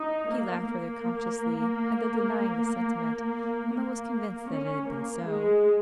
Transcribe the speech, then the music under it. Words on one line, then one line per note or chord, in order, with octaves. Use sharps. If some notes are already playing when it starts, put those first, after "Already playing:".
He laughed rather consciously; and though denying the sentiment, Emma was convinced that it had been so.
Already playing: D#4
A#3
A#3
A#3
C#4
A#3
G#3